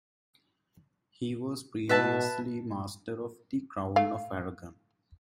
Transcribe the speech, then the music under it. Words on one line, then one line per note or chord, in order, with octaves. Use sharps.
He was previously Master of the Crown of Aragon.
B2 B4 E5 A5
A3 F5